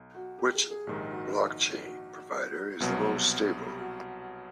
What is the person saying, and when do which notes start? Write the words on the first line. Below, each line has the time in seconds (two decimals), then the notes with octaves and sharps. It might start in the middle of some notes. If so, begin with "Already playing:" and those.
Which blockchain provider is the most stable?
Already playing: B1
0.15 F#4
0.39 G4
0.55 G#4
0.70 G#4
0.87 A#1 G#2 D#3 G4
1.11 F#4
1.84 F#4
2.80 C2 B2 F#3 F#4
3.67 G4
3.77 F#4